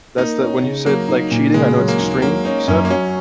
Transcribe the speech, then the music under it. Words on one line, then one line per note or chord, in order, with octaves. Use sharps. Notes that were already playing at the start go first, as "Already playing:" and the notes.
That's the when you said, like, cheating, I know it's extreme, you said.
A#3 D#4
C#4
C#3
F#3 A#3
D#4
A#2
C#3 G#3
F#3
A#3
D#2
F#3 A#3
C#4 D#4
F#2 C#4
A#3
F#3 C#4